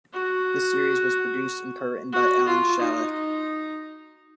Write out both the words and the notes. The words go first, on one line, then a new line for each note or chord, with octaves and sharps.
This series was produced and co-written by Alan Shalleck.
F#4
F#4
F4
D#4